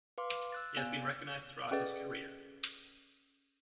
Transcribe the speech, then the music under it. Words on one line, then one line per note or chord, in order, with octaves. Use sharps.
He has been recognized throughout his career.
B4 F5 C6 D6
E6 F#6 A6
B3 D5 F5 G#5
C#4 G#4 A4 B4 D5 D#5